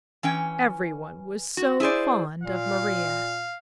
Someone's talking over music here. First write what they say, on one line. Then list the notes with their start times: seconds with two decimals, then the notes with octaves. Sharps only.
Everyone was so fond of Maria.
0.23 E3 C#4 G5
1.57 F#4
1.80 E4 G#4 C5 D5
2.44 A#2 F5